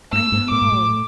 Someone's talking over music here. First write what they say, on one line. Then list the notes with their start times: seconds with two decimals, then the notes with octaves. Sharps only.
I know.
0.12 G#2 E6
0.32 G#2
0.50 A2 D6
0.62 G#2
0.72 A2